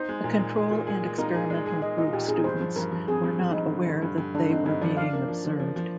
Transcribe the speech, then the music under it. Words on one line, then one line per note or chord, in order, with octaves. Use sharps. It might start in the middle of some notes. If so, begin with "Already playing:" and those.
The control and experimental group students were not aware that they were being observed.
Already playing: D#4 C5
G#3
A#2
G#3
G#4
A#2
G#4
G#3
D#4 A#4
G#4
G#3 D5
G#4
G#4 D#5
D#4 D#5
F4
A#2 G4
D#4 G#4
G2 C5
F3
G2 A#4
F3
C4 G#4
G2
G2
G2 D#4
D3
G2
G2
G2
D3 D4
C4 D#4
G2 D#4
F3 D5
D4 F5
A#3
F3
F3
F3
F3